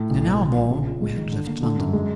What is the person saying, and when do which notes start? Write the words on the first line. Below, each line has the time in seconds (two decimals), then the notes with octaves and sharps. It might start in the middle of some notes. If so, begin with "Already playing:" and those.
In an hour more we had left London.
Already playing: A2
0.10 B1
0.25 B2
0.41 F3
0.55 A#1
0.70 C#3
0.86 F3
1.02 G#3
1.17 D#3
1.32 D3
1.47 A#3
1.63 D3
1.79 F#2
1.93 G#3